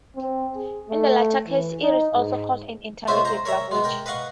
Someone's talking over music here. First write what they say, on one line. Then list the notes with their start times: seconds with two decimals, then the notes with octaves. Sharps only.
In the latter case it is also called an "intermediate language".
0.15 C4
0.55 G#4
0.90 A3
1.47 E3
1.81 D#4
2.15 G#2
3.08 G#3 B3 C#4 F4 C5 E5
3.25 C5 A#5
3.45 A#4 C#5 E5 A#5
3.71 G#3 B3
3.84 A#4 G5
4.06 B4 D#5 F5 F#5 C#6